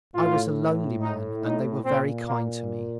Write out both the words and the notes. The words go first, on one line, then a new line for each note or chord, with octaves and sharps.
I was a lonely man, and they were very kind to me.
A2 F4
D#4
D#4
A#2 C4
A#3